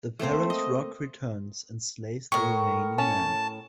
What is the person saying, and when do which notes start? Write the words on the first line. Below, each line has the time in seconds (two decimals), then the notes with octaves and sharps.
The parent Roc returns and slays the remaining men.
0.19 A3 A#3 C4 C5
0.50 D#5
2.32 A2 A#4 C#6
2.98 C#4 A5